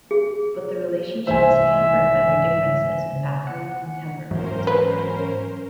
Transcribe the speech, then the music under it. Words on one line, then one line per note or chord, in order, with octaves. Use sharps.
But the relationship is hampered by their differences in background and temperament.
G#4
C2 G#2 E3 C5 E5 G#5
F#5 C#7
G#2 E3 F#3 C#4 A#4 C5
B4